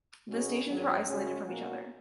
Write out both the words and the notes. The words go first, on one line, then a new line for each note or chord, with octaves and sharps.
The stations were isolated from each other.
B2 F#3 C#4 G#4
G#1 G#2 D#3 F#3
F#2 C#3 G#3 C#4
B2 F#3 A#3 C#4 F#4